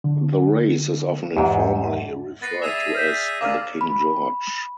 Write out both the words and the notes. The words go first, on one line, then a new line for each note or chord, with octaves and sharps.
The race is often informally referred to as the "King George".
D3
E2 G#2 G4 E5
B3 A6 A#6 C7
G#4 D5 E5 F7
F6 G6 B6
D#2 D3 F5 D6 E6 F6 D#7
B5